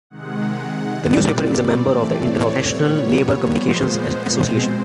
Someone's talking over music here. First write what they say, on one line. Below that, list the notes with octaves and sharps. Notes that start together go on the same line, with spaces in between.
The newspaper is a member of the International Labor Communications Association.
C3 D#3 G#3 F#5
A#2 G3 C4 D5
D5
A2 E3 A3 C4
C#5
A#2 G3 B3
A#2 F3 G#3 B3 C5
B2 G#3 C4